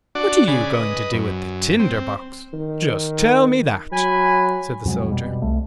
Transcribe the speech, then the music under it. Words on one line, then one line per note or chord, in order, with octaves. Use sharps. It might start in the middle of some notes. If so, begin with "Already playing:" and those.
"What are you going to do with the tinder-box, just tell me that?" said the soldier.
D4 F#4 D5
C#3 G#4 D5 B5
B4 D#5
F#2
C4
D#3
F#3 G#5 B5
F2 C3 F#3 G#3
B2 G3
C2 A3